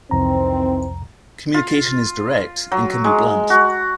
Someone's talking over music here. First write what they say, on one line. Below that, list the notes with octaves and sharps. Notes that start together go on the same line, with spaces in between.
Communication is direct, and can be blunt.
C2 F2 D#3 E3 C4 A#5
F4
F#3
G#3
F#4